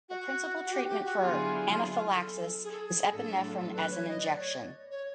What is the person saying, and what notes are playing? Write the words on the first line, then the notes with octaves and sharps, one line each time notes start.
The principal treatment for anaphylaxis is epinephrine as an injection.
F#4
F#4
G4
G4
F#4
D3 F#3 B3 E4 F4 G#4
F4
A4
G#4
A4
G#4
A2 F#3 B3 D4 F4 A4
A4
B4
C#5
D#5
D5
C#5
C#5